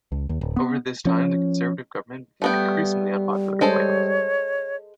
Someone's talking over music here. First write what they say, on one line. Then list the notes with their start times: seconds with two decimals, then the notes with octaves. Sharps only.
Over this time, the Conservative government became increasingly unpopular in Wales.
0.12 C#2
0.29 D#2
0.41 D1
0.56 B3
1.05 F3 C#4
2.42 G3 A3 B3 G5
3.61 G#3 A4 C5 C#5